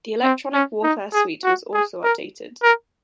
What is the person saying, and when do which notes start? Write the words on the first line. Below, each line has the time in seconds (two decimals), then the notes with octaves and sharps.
The electronic warfare suite was also updated.
0.24 C4
0.54 C#4
0.83 D#4
1.14 G#4
1.44 F#4
1.74 G#4
2.04 A#4
2.63 A#4